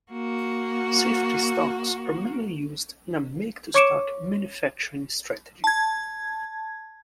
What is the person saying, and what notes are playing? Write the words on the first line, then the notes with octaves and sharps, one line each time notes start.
Safety stocks are mainly used in a "Make To Stock" manufacturing strategy.
A#3 F#4
C#5 C#6 D6 C#7 D7 E7
A5 G#6